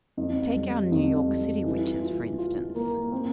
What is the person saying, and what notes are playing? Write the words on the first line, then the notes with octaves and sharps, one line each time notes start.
Take our New York city witches, for instance.
F2
G3
F2
G3
E3
F4
F4
A#3
C4